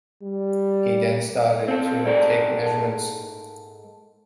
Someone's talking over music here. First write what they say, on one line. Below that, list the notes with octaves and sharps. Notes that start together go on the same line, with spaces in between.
He then started to take measurements.
G3
C4 A4
G#2 A4 A#4 D5
A5